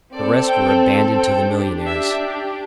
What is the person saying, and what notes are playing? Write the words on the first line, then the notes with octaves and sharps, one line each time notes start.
The rest were abandoned to the millionaires.
C4 A4 D5
G5
G5
D4 G4
E5